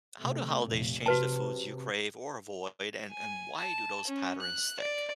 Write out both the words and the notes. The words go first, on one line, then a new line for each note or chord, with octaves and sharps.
How do holidays change the foods you crave or avoid, and and why do those patterns stick?
C3 A3
F1 A#2
C3 F#4 B4 A5
G#5
A5
C#4
F#6
D5